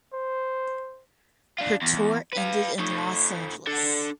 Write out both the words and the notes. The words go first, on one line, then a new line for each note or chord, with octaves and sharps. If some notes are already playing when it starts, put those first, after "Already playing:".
Her tour ended in Los Angeles.
C5
D4 F4
E2
B4 F5
A3 D#4
D4 A4